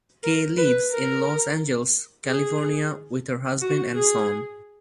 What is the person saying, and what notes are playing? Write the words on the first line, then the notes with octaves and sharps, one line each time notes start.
Kay lives in Los Angeles, California with her husband and son.
A#4
B4
A#4
G#4
F#4
G#4